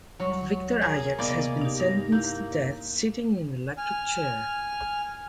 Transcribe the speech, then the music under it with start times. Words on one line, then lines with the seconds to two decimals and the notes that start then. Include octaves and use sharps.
Victor Ajax has been sentenced to death, sitting in an electric chair.
0.20 D2 F#3 G3 C#6
0.82 G#4 A#4
1.19 C3 A#3 B3 D5 D#5
1.61 D#4 G4
1.78 G2 D#4 A#6
2.12 A#3 E4 G6
3.78 G#5 F6